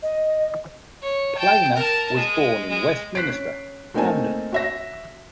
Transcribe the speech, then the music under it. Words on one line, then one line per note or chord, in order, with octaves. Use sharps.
Planer was born in Westminster, London.
D#5
C#5
G5 A5
A#4 A5
G#3
G#3
F#6 B6 C7 D7
C#4
A3 A#3 C4 D#4 G#5 A5
F#4 E5 A#6